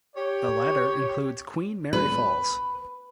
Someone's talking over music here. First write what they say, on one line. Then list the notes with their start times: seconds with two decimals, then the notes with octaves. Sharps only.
The latter includes Queen Mary Falls.
0.16 G4 C#5
1.93 B4